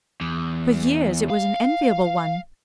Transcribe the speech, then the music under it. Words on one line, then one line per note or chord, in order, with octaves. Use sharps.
For years it was an enviable one.
E2
F5